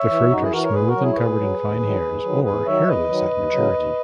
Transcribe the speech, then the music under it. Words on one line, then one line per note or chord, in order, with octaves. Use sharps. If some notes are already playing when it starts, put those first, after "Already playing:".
The fruit are smooth and covered in fine hairs or hairless at maturity.
Already playing: C#5 E5
E3
F#2 D#4 F#4
E4 G#4
E3 F#4 A#4
A#4 C#5
A#2 G#4 B4
F#4 A#4
F#3
E4 G#4
C#5
A#2 G#4 B4
F#3
D#2
D#3 F#3
D#2
D#3 F#3
E2 G#4 B4
D#3 F#3 C#5 E5
E2 B4 D#5
D#3 F#3
D#2
C#3 F#3
D#2